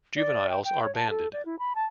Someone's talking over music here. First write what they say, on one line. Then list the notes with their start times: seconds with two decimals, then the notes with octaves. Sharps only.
Juveniles are banded.
0.16 D5
0.49 G5
0.64 G5
0.83 C#5
0.95 A5
1.10 A4
1.33 D5
1.45 E4
1.59 B5
1.75 A5